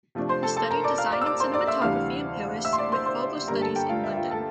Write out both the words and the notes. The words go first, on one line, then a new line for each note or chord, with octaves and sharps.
He studied design and cinematography in Paris, with further studies in London.
C3 F3 A3 D4
C5 C6
A4 A5
A4 A5
A#4 A#5
D5 D6
F5 F6
D5 D6
E6
D5 D6
C5 C6
D5 D6
E5 E6
D2 C3 E3 G3 D4 F5 F6
E5 E6
C6
D5 D6
C5 C6
C5 C6
G2 D3 G3 A#3 A#4 A#5
A4 A5
G4 G5
F4 F5
E5
F4 F5
A4 A5